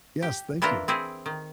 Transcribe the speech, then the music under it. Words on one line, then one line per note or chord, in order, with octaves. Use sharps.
Yes, thank you.
G4
E3 D4 E4 F4 A#4
C4 E4 G#4
D#3